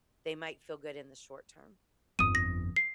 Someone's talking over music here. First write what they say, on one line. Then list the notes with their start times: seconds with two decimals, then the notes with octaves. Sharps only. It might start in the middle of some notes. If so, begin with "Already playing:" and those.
They might feel good in the short-term.
2.19 G1 F2 D#6 D#7
2.35 A#6
2.76 C7